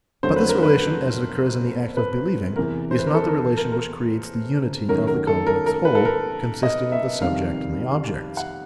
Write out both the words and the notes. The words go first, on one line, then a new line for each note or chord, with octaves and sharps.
But this relation, as it occurs in the act of believing, is not the relation which creates the unity of the complex whole consisting of the subject and the objects.
F2 D3 F#3 A3 C5
B4
A#4
B4
B4
E2 C3 E3 A#4
C5
B4
A#4
A4
A#4
A#4
A#4
F#2 D#3 F#3 A3 A#4
A#4
A4
A#4
A#4
B4
A4
A#4
D#5
E5
F2 C3 D#3 G3 F5
F#5